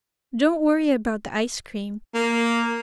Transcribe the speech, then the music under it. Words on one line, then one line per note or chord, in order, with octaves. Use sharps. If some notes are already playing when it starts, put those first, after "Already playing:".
Don't worry about the ice-cream.
A#3